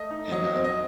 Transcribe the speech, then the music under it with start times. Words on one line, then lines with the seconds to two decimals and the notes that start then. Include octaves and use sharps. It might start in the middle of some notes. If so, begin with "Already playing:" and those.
and, uh
Already playing: A3 D#5
0.11 D#4
0.32 F#3 D#5
0.54 C4
0.64 D#5